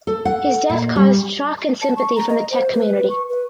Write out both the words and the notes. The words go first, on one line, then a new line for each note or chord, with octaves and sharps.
His death caused shock and sympathy from the tech community.
A4
F#5
A#2
G3
A5
C#6
A#5
D#5
C5
B4
C#6
B4